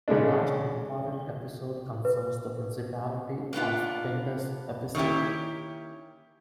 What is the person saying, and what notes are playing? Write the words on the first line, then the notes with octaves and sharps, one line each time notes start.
The last important episode concerns the Principality of Pindus episode.
C#3 G#3 A3 D4
B4
A#3 B3 D4 F4
D#3 A#3 C#4 E4 G4